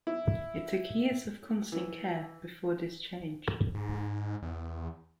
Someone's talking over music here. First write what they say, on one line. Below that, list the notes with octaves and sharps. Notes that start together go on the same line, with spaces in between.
It took years of constant care before this changed.
E4
E3
G#2
E2